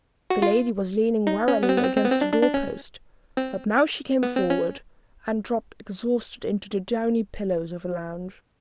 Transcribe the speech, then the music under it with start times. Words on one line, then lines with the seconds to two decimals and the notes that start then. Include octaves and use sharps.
The lady was leaning wearily against the door-post, but now she came forward, and dropped exhausted into the downy pillows of a lounge.
0.30 F#4
0.42 F4
1.27 D#4
1.48 C#4
1.63 B3
1.69 C4
1.78 B3
1.83 C4
1.97 C4
2.05 B3
2.12 C4
2.21 D4
2.33 D4
2.43 D4
2.54 C#4
3.37 C4
4.23 B3
4.36 C4
4.50 C#4